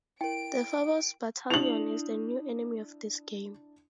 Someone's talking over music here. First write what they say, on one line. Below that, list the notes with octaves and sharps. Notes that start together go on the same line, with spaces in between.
The Phobos Battalion is the new enemy of this game.
E4 A#4 G5 D7
D4 E4 F7 F#7